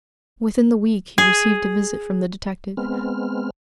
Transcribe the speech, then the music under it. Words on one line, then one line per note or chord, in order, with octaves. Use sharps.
Within the week he received a visit from the detective.
G#4
G#3 B3 C4 F6